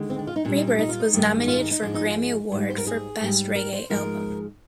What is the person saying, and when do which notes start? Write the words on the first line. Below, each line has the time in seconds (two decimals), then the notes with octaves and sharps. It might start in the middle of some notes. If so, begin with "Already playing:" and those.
"Rebirth" was nominated for a Grammy Award for 'Best Reggae Album'.
Already playing: D#2 D3 G#3
0.10 C4
0.19 D4
0.27 F4
0.36 D#4
0.45 A#2 D4
0.48 G3
0.56 D#4
0.67 D4
0.79 D#4
0.89 F4
1.00 D#4
1.14 G2 D#3 G#3
1.48 F4
1.60 D#4
1.71 D#4
1.82 G#2 F3 G#3 D4
1.94 D#4
2.05 F4
2.52 G#2 G3
2.70 C5
2.78 A#4
2.87 G#4
3.21 G#2 G3
3.55 A#4
3.73 C5
3.90 G#2 F3 G#3 A#4